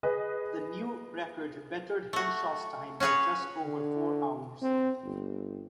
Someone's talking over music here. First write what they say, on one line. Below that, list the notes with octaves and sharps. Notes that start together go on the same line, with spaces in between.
The new record bettered Henshaw's time by just over four hours.
G#4 B4 D#5
A3 F#4
C#4 F#4 G#4 B4 C#5
D3
C4
G1